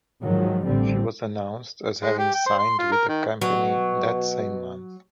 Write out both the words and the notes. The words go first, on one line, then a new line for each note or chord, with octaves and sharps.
She was announced as having signed with the company that same month.
G#2 D#3 F3 F#3
A1 A2 D3 G3 C4
G#3
G4
G5
C5
C6
F4
A#4
D#3
B2 F#3